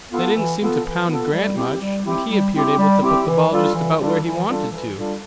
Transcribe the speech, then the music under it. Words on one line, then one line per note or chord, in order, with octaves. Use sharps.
"They didn't seem to pound Grant much, and he appeared able to put the ball just about where he wanted to."
B3 F4 A4
E3
B3 F4 A4
E3
B3 F4 A4
G3
C4 E4 G4
G3
C4 E4 G4
G3
C4 E4 G4
G3
C4 E4 G4
E3
G3 D4 F4 A4
E3
G3 D4 F4 A4
E3
G3 D4 F4 A4
E3
G3 D4 F4 A4